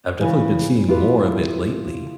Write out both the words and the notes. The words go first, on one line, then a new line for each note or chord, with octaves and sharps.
I've definitely been seeing more of it lately.
C#3 E3
E4 F4 G4 B4